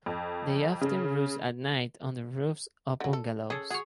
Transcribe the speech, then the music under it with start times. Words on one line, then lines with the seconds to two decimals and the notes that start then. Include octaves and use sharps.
They often roost at night on the roofs of bungalows.
0.06 F2
0.81 C#3
3.00 D3 F#3
3.13 A4
3.50 C#4 G#4 A4
3.70 F#4 G#4 C#5